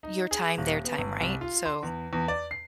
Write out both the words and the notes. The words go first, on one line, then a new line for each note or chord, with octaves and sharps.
your time, their time, right? So,
D#4
G#4
D#1
B3
G1
C2
F4
C6
E2
E2
D5
C7